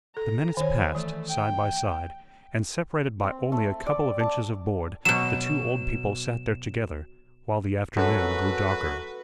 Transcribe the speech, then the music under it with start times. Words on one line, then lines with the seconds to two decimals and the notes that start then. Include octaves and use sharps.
The minutes passed; side by side, and separated by only a couple of inches of board, the two old people sat there together, while the afternoon grew darker.
0.17 A4 A#5
0.57 D#3 C#5 G#5
0.95 E3 A3
1.29 G5
3.23 C4
3.52 A3
3.86 D5
4.19 A5
5.05 B2 F#3 E7
7.97 F#2 F#4 A4 B4